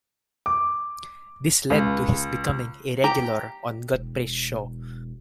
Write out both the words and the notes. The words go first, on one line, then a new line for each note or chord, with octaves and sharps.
This led to his becoming a regular on Godfrey's show.
D6
C#2
G4 A#5
E1